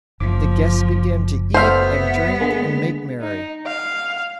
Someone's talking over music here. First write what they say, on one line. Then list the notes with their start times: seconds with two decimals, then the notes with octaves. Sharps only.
The guests began to eat and drink and make merry.
0.20 F#1 F3 D6
1.54 A3 B3 F#4 C5 E5 F5
2.40 D3 G#3 A#3
3.21 D#4
3.66 F5